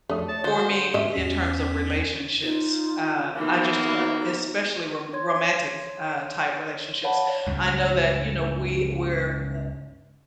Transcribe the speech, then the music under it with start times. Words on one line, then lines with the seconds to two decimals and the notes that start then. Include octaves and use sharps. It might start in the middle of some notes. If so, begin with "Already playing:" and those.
for me i in terms of relationships, uh, I just, uh especially rom romantic, uh, type relationships, I know that, you know, we we're a
0.09 F2 A3 D4 D#6
0.29 C#5 A5
0.44 D3 F#3 C5 C#5
0.59 F5
0.94 G#2 C#4 D#5 E5
1.13 E2 C#4 B6
2.42 D#4 F4
3.36 E3 A#3 B3 D#4 F#4
5.13 C#5 C6 G#6
7.04 C#5 D5 F5 F#5 A5 B5
7.46 C#2 G2